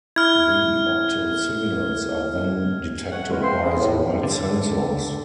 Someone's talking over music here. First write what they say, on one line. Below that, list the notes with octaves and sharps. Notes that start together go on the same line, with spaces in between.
The octal signals are then detected by the light sensors.
E4 F6 G#6
A3 C#5 F#5
E2 D3 D#3 G#3
B4 C5 E5 F5 G5 C6
F3 B3 C#4 G#4 A4 D#5
A2
D3